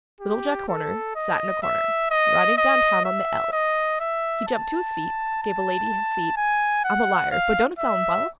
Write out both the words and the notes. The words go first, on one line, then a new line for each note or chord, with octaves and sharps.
Little Jack Horner Sat in a corner Riding down town on the "L." He jumped to his feet Gave a lady his seat-- I'm a liar, but don't it sound well.
G4
A4
D#5
E5
D#5
D#5
E5
D#5
E5
A5
A5
G#5
F#5
F5
E5